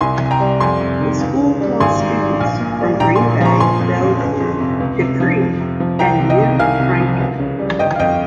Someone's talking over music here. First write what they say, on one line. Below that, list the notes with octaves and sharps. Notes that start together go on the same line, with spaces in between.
The school draws students from Green Bay, Bellevue, De Pere, and New Franken.
C2 G#5 C6
C3
G#5
G5 A#5
G3
F2 G#5 C6
C3
D#3
C#2
C#3
G3
G#1 G#5 C6
G#2
G3
A#1 F5 G#5
A#2
G3
A#1 G5 A#5
G#5 C6
A#2
F3 A#5 C#6
G1 G#5 C6
F2
C#3
G1
F2
C3
C#2
C3
F3
F2
C3
F3
C2 G5 A#5
C3
D#5 G5
D#3
C2 F5 G#5
C3
F3
C#2
C#3
G3
G1 D#5 G5
F5
F2 D#5 G5